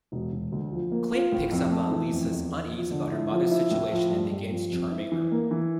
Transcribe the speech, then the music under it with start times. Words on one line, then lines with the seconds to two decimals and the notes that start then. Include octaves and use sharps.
Clint picks up on Lisa's unease about her mother's situation and begins charming her.
0.12 E1
0.32 E1
0.52 D2
0.72 F3
0.92 A#3
1.12 F4
1.32 A2
1.52 F2
1.72 A3
1.92 E3
2.12 F2
2.32 E2
2.51 E2
2.72 F3
2.91 D3
3.11 E4
3.32 F3
3.51 E4
3.71 A2
3.91 F3
4.12 G2
4.31 G2
4.51 F3
4.71 F2
4.91 E4
5.12 E3
5.32 A#3
5.51 E3